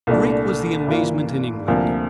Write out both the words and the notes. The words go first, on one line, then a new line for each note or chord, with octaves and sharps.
Great was the amazement in England.
C2 A#2 A3 D4
G2 E3 A#3 F4
D2 C3 F3 A#3